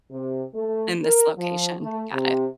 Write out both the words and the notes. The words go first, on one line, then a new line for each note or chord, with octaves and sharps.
In this location. Got it.
C3
A3
A#4
F3
A3
C3